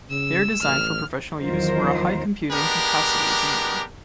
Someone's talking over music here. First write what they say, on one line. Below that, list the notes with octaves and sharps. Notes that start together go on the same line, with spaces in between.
They are designed for professional use, where a high computing capacity is needed.
C#3 E6
A1 F6
E2 D#3 F#3 F4 A#4 C5
G#3 B3 D4 G4 A#4